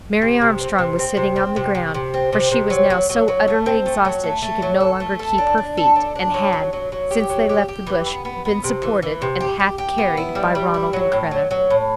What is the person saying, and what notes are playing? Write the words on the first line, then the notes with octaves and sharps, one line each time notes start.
Mary Armstrong was sitting on the ground, for she was now so utterly exhausted she could no longer keep her feet, and had, since they left the bush, been supported and half carried by Ronald and Kreta.
C3
C3
C4
C3
C4
C3
C4
C3
C3
C3
C4
C3
C3
F#3
F#3
F#3
F#3
A3
C4
A3
F#3
A3
A3
F#3
A4
A3
A4
D4
D4
A4
D4
D4
F#3
F#3
F#3
F#3
G4
F#3
G4
G4
E3
B3
B3
B3
C3
E3
E3
C3
G4
G4
G4
B3
E4
G3
G3
E4
F#3
A2
F#3
F#3
A2